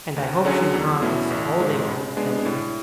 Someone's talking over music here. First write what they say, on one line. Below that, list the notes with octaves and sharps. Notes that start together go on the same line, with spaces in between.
And I hope she's not a scolding old thing!'
D2
D3 F#3 C#4 G#4
E2
B2 A3 C#4 E4
A1
G#2 G#3
C#3
G#3 B3 D4 G#4
A2